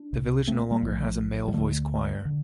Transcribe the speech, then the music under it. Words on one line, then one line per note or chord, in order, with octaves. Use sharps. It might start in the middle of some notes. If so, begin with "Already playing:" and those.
The village no longer has a male voice choir.
Already playing: D4
C2 C3
A3 C4
G3 A#3
A#1 A2 F3 A3
G3
D2 D3 F3 A3
D3